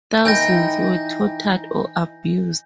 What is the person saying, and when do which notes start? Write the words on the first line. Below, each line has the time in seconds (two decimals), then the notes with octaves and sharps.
Thousands were tortured or abused.
0.25 E3 D#4 G5 G#5 G6 A#6